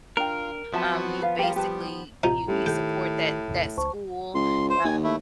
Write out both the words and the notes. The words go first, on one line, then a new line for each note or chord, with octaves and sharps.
um, you basically, you you support that that school, uh
D4 F4 A#4 G5
F3 F#3 B3 C4 F#4 E5 A5
B4 F5
G3 G4 A#4 F5
G3 G4 B4 A5
A1 C3 F3 D#4 A#5
A2 G3 C#4 G4
D#3 A4 G5
A1 E2 C3
C#2 C5 A5 C#6
C#2 C6
C5
D#2 G#5
A3 E4